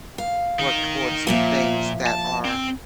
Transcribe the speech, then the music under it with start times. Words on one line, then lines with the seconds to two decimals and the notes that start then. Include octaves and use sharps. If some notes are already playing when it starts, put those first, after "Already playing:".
work towards the things that are
0.18 F5
0.59 D#3 D#4
1.27 A#2 F3 A#3 E5
2.07 A5
2.45 C4